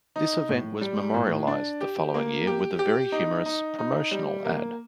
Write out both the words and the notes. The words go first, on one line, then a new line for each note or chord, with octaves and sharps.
This event was memorialized the following year with a very humorous promotional ad.
D#4
A2
G3
A2
D4
G4
A#3
G4
G4
D#4
D#4
D#4
G3
A#3